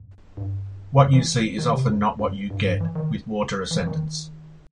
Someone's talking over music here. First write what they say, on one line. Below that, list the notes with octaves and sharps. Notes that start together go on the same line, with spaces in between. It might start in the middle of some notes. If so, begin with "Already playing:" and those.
What you see is often not what you get with water ascendants.
Already playing: F#2
G2
F#2
E3
D#3
C3
F#2
F#2
G2
G2
E3
D#3
E3
E3
D#3